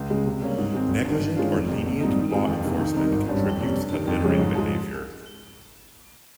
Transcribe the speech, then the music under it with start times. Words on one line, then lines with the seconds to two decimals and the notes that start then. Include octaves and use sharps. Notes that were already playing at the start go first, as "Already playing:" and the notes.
Negligent or lenient law enforcement contributes to littering behavior.
Already playing: C#2
0.10 C#3 G#3
0.25 C3
0.42 G3 A#3 C#4
0.58 G#2
0.73 D#3 G#3 C4
0.89 G#1
1.05 G2
1.10 D#3
1.21 G2
1.37 D#3 G#3 C#4 F4
1.54 F1
1.68 F2 C3
1.85 A#1
2.00 G#2 G3 C4 D#4
2.16 D#3
2.32 G#3 C4 F4 G#4
2.48 F2
2.64 C3 D#3 A#3
2.80 D#3
2.96 G3 C4 D#4 A#4
3.12 G#1
3.29 G2 G3 C#4
3.44 F2
3.60 C3 G3 C#4
3.76 G2
3.92 D#3 G3
4.08 F2
4.24 C#3 F3 G#3 C#4
4.39 G#2
4.55 F3 G#3